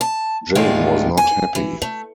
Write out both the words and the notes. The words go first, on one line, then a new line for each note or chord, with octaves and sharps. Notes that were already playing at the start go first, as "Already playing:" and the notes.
Jane was not happy.
A5
E2 A2 D3 D#3 G#3 F4
G#5
E3
A3